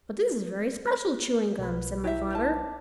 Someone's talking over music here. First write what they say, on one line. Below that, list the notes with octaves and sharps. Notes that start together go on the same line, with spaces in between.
"But this is very special chewing gum," said my father.
B1 B4
E4 G4 E5
D4 D#4 A5